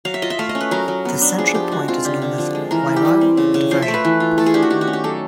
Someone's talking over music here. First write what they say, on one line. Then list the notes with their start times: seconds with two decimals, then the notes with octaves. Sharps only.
The central point is known as the Wairau Diversion.
0.05 F#3 F5
0.14 E5
0.22 F4 D#5
0.30 E5
0.39 A3 F5
0.49 D#5
0.55 C#4
0.61 B4
0.71 F#3 A#4
0.88 F#3
1.05 B3
1.21 D4
1.38 F3 G#4
1.54 F3 G4
1.72 G#3 F#4
1.88 C4 F4
2.05 D3 G4
2.22 D3
2.38 F3
2.55 G#3
2.71 E3 A#4
2.87 E4
2.96 G4
3.05 G3
3.21 C4
3.37 C#3
3.54 C#3
3.71 F3 C5
3.82 E5
3.88 A3
3.94 B4
4.05 E3
4.20 F4
4.38 A3 A4
4.46 G#4
4.54 D4 G4
4.62 F#4
4.70 D#3 G4
4.81 F#4
4.87 C#4
4.93 G4
5.04 F#3 A4